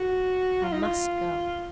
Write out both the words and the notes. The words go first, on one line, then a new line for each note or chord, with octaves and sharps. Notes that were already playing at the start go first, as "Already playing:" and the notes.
I must go.
Already playing: F#4
F4
D#4
F4